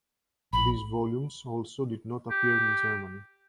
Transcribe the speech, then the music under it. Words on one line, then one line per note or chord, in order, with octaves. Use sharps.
These volumes also did not appear in Germany.
A#1 B5
G4